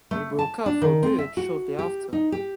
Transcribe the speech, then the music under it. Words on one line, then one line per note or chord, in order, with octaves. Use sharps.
They broke up for good shortly after.
A3
A5
D4
D#3
C4
E5
F#4
G4
D#4
G4